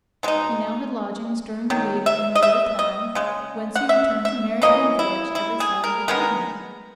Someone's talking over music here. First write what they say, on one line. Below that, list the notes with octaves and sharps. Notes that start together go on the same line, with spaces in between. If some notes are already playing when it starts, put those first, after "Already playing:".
He now had lodgings during the week in the little town, whence he returned to Marygreen village every Saturday evening.
B2 G#3 D#4
D#3 F#3
E5
D#5
E5
D#5
C#3 G#3
F#5
E5
E5
E3 A#3 C#4 D#5
E4
E4
G#4
A#4
D#3 G#3 B3 A#4